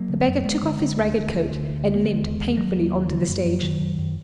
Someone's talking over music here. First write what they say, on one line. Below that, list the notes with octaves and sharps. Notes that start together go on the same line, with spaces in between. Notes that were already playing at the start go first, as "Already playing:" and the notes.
The beggar took off his ragged coat and limped painfully on to the stage.
Already playing: F#3 A#3
D3
F#2
F#2 G#3 B3
D3
D3
D2
D2
D2
D3
D2
D2
A#3
D3 G#3 B3
D#2
D#2
D#2 F#3 A#3
D#2
D#2
D3
F#2
F#2
F#2 D#3 F#3
F#2
F#2